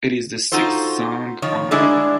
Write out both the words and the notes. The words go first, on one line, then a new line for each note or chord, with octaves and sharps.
It is the sixth song on the album.
D#4 F4 F#4 A4 C5
D#3 F3 C#5
D3 G3 G#3 D4 E4 G#4